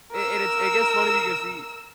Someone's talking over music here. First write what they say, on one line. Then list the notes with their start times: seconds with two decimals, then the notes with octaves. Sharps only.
It it's it gets funny because he
0.12 A#4 E6